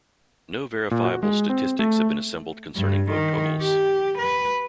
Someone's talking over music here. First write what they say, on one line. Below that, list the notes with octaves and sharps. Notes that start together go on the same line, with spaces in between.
No verifiable statistics have been assembled concerning vote totals.
A#2
F#4
G#3
C4
A3
G2
D#3
G4
B4